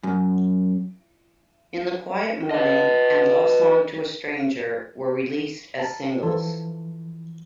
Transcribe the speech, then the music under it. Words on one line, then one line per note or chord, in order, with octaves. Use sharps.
"In the Quiet Morning" and "Love Song to a Stranger" were released as singles.
F#2
B4 D#5
A5 A#5
E3 F3 A4